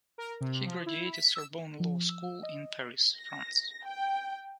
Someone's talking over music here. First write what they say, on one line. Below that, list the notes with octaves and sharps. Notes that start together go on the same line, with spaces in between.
He graduated Sorbonne Law School in Paris, France.
A#4
C3
F3
E4
B6
E6
F3
E6
D#5
A#6
G5